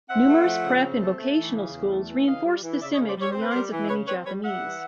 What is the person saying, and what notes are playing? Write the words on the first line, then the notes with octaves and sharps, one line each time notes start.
Numerous prep and vocational schools reinforce this image in the eyes of many Japanese.
C4 E5 F#5
A3
F3
C#3
C4
A3
A3
E3
C#3
E2
A3
E3
C#3 D#5 F5
G3
E3
C#3 D5 E5
C#5 D#5
C#3
C5 D5
G3 C#5
C4 C5
B4
G3 A#4 C5
E3
C#3 B4 C#5
C4 B4 C#5
G3 B4 C#5
G3 E5 F#5
E3